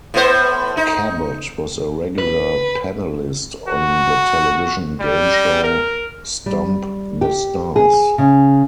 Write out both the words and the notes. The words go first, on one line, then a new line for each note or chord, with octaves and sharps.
Cabot was a regular panellist on the television game show, "Stump the Stars".
A2 B3 C5
D#4
B4
F#4
G3
A#4
G3
G4
G#4
C#3